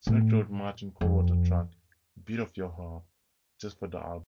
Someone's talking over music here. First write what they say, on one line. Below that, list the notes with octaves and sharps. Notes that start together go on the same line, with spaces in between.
Sir George Martin co-wrote the track "Beat of Your Heart" just for the album.
A2
F2